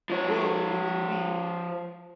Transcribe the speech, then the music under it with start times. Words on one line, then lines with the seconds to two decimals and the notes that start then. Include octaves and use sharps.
Well, d d we
0.10 F3 C#5